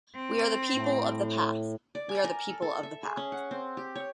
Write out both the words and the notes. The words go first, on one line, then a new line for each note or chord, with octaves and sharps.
We are the people of the path; we are the people of the path.
C4
A2
D5
G#5
A#4
A4
A4
E5
G#4
C#4
F#5
C4
G4
C#5